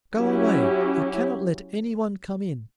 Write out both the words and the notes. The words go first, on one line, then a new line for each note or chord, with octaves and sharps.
"Go away; I cannot let any one come in."
F#3 C#4 E4 G4